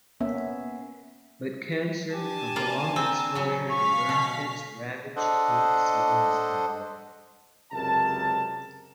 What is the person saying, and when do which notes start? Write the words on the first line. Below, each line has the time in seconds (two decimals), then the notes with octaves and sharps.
But cancer from prolonged exposure to burn pits ravaged Heath’s lungs and body.
0.20 A#3 B3 C#4 E5
2.12 D4 G4 G#5 A5
2.56 A#3 F4
2.96 C4 A#4
3.35 C#3 F#3 G#5
3.69 F5 C#6 B6
4.09 B2
5.16 D4 A4 C5 D#5 F#5
7.72 C#2 F#2 C3 A#4 A5